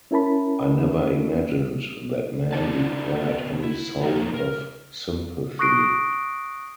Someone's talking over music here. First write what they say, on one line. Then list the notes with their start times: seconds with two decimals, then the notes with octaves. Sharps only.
I never imagined that men required any solt of sympathy.
0.11 C#4 E4 A#4 A5 B5
2.53 D4 D#4 F4 D5 F#5 A5
3.24 C3 B3
3.63 E4
4.03 F2 C3 F3 A#3 A#5
4.34 A#4
5.59 C#6 D#6 F#6 A#6 C7 D7